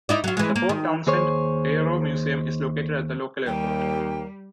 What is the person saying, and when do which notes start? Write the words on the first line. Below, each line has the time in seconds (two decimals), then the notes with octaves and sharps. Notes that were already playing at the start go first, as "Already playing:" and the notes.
The Port Townsend Aero Museum is located at the local airport.
0.09 D#4 E4 D5
0.24 F#3 F4
0.37 E3 G#3
0.56 A#3
0.69 D#3
1.07 D#2 G#4 C5 C#5
3.47 D#2 G3 A#3 G5